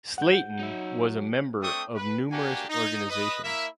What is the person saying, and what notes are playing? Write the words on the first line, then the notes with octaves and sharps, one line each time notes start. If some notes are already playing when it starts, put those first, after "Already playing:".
Slayton was a member of numerous organizations.
G#2 F#5 G6
F#3 D#4 E5
A3 C4 D4 G5 C#6 D#6
B4
A#3 D4 F#4 G4 F#5 G#5
D#4
B4 D#5 D#6
A#3 E4 A#4 E5